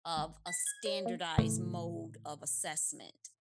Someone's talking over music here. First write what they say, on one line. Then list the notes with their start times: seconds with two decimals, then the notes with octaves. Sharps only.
of a standardized mode of assessment.
0.17 G#1
0.47 B6
0.66 G#6
0.86 C#5
1.06 A#3
1.38 A2 C#3 E3 A3